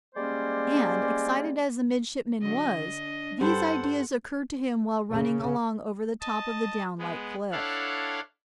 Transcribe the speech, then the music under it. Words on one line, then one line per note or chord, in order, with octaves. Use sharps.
And, excited as the midshipman was, these ideas occurred to him while running along over the top of the down-like cliff.
G3 G#3 A#3 C#4 C5 D5
D3 F#3 D#5
D4
G2 A4 C5 F#5
C#3
D#5 A5
G#3 B3
D4 E4 A4 C#5 F5 F#5